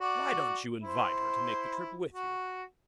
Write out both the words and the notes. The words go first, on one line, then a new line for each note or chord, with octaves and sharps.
Why don't you invite her to make the trip with you?
F#4 D5
E4 C5
F#4